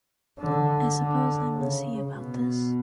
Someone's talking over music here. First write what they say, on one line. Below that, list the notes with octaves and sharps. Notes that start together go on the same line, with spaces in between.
I suppose I must see about this.
D3
D3
C#3
B2